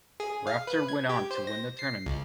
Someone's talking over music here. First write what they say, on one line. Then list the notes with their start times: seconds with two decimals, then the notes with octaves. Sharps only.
Rafter went on to win the tournament.
0.20 G#4
0.47 F5
0.67 B4
0.88 G#6
1.09 G4
1.31 C5
1.47 A#6
1.79 C7
2.06 C#2